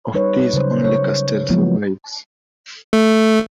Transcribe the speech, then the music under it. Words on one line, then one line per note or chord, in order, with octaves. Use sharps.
Of these, only Castell survives.
G3 D#4 B4 C#5
C#3 F#3 C5
C#5
F3 F#3 G#3 A#3 B3 E4
A3